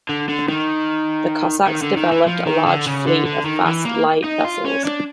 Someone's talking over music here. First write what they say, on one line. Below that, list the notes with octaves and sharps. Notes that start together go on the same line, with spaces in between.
The Cossacks developed a large fleet of fast, light vessels.
D3
D3
D#3
D#3
D3
D#3
E3
F3
D#3
D3
C#3
D3
D3
D#3
E3
A#3
D#4
F4
C#4
D4